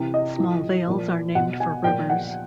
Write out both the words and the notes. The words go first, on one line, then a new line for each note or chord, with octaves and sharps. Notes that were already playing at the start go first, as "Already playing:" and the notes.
Small valles are named for rivers.
Already playing: C3 E3
D#5
A2 F3
A#2 F3
B2 F#5
G#5
A#2 F3 G5
F#5